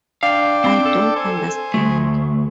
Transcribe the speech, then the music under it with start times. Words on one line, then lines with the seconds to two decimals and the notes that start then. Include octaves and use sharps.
I don't understand.
0.23 D4 D5 F5 G5
0.64 C4
0.86 A4
1.16 C5 G#5
1.74 D2 A3